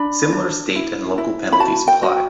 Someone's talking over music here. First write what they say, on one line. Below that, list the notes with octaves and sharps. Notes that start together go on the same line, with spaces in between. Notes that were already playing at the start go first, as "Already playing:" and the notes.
Similar state and local penalties apply.
Already playing: D4 B5
D4
E4
E4
B5
F#4 A5
G5
F#4